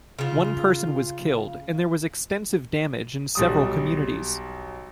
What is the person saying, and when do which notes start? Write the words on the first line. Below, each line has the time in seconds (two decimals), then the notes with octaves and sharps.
One person was killed and there was extensive damage in several communities.
0.19 C#3 F4
3.35 B1 G3 D#6